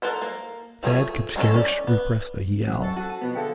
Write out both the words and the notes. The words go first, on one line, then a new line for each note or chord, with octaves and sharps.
Tad could scarce repress a yell.
A4 A#4 C5 F#5
A#3
F3 A3 C4 G#4 C#5
G#3 B3 C#4 A4 C#5
C#4 D5
B3
F#2 C5 F#5
A4 C#6
F#4 F#5 A5
A5
B2 F3 B3
D3 G#4 A4 E5 F5 G5